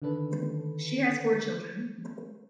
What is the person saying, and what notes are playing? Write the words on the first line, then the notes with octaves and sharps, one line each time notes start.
She has four children.
D3 D#3 D4 A4 B4